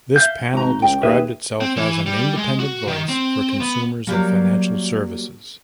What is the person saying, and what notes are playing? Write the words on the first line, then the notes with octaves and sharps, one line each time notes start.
This panel described itself as "An Independent Voice for Consumers of Financial Services".
E5 F5 G6
G#1 F#4 A#5
C#2 G5
D#2 G#4 B4 E5
C4
E3
G3
G#3
F#4
D#3
C4
B3
F#3 G3 A#3